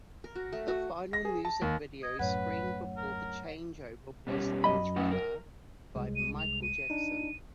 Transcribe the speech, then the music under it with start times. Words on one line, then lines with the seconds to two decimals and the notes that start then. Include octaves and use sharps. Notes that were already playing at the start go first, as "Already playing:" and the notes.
The final music video screened before the changeover was "Thriller" by Michael Jackson.
0.24 A#4
0.35 F#4
0.53 A3
0.68 F#4
1.13 A#6
1.25 G#4
1.45 A5
1.62 D#2
2.03 D#5 G#6
2.19 F#2 A2 B4 C#5 F#5
2.97 A#4
4.27 B2 G3 C#4
4.64 F#2 D#5 B5
4.96 A3 C#4 F#5
5.11 A#4
5.95 C2 G#3
6.16 D#7
6.39 F7
6.63 D#7
6.90 D4 D#4